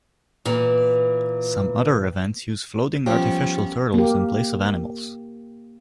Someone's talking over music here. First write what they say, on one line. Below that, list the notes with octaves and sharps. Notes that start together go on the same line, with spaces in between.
Some other events use floating artificial turtles in place of animals.
A#2 E3
F3 G3 B3 C#4 G4
A#3 G4